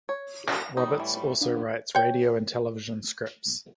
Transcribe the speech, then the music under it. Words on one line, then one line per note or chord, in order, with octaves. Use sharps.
Roberts also writes radio and television scripts.
C#5
A2 G3 D#4
E3
A#3 B3 D4
C#5 G5